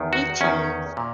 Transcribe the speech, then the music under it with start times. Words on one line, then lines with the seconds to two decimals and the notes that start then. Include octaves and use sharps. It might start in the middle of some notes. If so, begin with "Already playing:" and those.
Me too.
Already playing: E2 D#3
0.13 F#4
0.41 E2 D#3 C#4
0.97 A#2